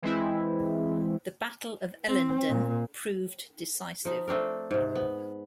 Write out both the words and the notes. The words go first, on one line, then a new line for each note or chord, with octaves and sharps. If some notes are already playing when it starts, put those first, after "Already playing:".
The Battle of Ellendun proved decisive.
E3 G#3 C4 E4
C4
A#2
F3 D#4
A3 C4 D4 A#4
G#2 C3
B3